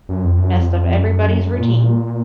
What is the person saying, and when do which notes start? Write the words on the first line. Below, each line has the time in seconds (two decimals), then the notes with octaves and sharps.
messed up everybody's routine.
0.09 F#2
0.24 F2
0.38 F#2
0.54 F2
0.98 F#2
1.59 A#2